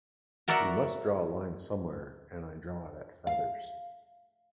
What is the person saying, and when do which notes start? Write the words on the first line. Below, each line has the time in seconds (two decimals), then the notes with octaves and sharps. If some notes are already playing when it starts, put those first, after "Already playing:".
You must draw a line somewhere, and I draw it at feathers.
0.48 F#4 A#4 D5 E5 F#5
3.27 F5